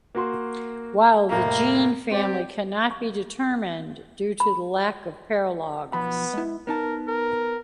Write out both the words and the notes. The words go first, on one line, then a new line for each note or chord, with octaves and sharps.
While the gene family cannot be determined due to the lack of paralogs.
A#3 F#4 C6
F1 A2 A#3 A#5
C4 G4 D5
C#6
B5
B1 F3 B3 B5
G#3 E4
B3 D#4 A#4 A5
A#4